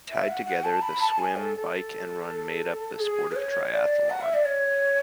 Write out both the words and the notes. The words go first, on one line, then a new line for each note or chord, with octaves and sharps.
Tied together, the swim, bike and run make up the sport of triathlon.
E5
F#5
F#5
A5
B5
A5
G#5
A4
A4
G#4
B4
C#5
D5
F#5
E5
D5
C#5